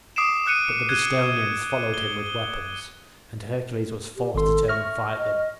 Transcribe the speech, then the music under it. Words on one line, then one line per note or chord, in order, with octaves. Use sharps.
But the Bistonians followed him with weapons, and Hercules was forced to turn and fight them.
D6 D#6 C7 D7 E7
D#6 F#6 C#7 D#7 E7
F#6 G#6 D#7 G7
G7
G4
G#1 A4 C6
E5 C#6 F6 A#6
D#5